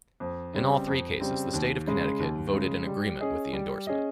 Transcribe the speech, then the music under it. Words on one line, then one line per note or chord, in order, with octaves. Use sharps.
In all three cases, the state of Connecticut voted in agreement with the endorsement.
F2
C#3 G3 C4
F2
C#3 G3 C4
D#2
C#3 G#3
D#2
C#3 G#3
G3
C#4 G#4 D#5
G3
C#4 G#4 D#5